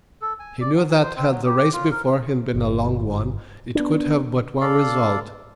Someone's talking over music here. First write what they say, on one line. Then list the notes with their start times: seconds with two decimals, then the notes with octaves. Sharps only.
He knew that, had the race before him been a long one, it could have but one result.
0.22 A4
0.40 G#5
0.61 D5
0.75 F#3
0.90 G#5
1.03 C5
1.16 C4
1.30 F#3
1.46 G4
1.73 F4
1.91 A#4
2.55 G1
3.75 B3 D4
4.61 A4 D5 F5